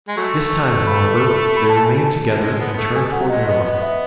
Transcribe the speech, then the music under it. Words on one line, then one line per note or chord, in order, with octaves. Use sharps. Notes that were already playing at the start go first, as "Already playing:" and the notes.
This time, however, they remained together and turned toward the north.
G#3
F#3 A3 C#6
B5
B5
A5
G#5
A5
G#3
C#3 G#3
B3
B3
A3
F#3 A3 G#5
C#3 F#3 F#5
C#3 G#3 D#5
A3
B3 D#5
B3 D#5
E5